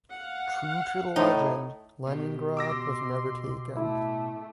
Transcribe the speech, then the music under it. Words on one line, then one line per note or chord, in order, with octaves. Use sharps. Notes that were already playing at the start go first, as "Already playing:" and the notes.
True to the legend, Leningrad was never taken.
F5 F#5
A2 D#4
B2 G4
C6 D6 E6 A#6
A2 A3 E4